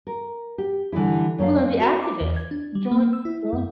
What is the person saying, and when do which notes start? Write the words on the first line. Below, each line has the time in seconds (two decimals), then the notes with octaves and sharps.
we're gonna be activists, join join
0.07 A#4
0.58 G4
0.92 D3 E3 G3 G#3 E4
1.38 F#2 C#4 D4 F5
1.80 F#4
2.03 D6
2.21 E2
2.36 G#6
2.51 D4
2.75 G3
2.91 A#3
3.13 E6
3.25 E4
3.53 F#2